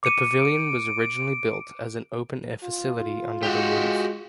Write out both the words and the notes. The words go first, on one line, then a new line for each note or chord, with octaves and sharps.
The Pavilion was originally built as an open-air facility under the roof.
D6 C#7 D#7
D7
F4
G#3 F#4 G4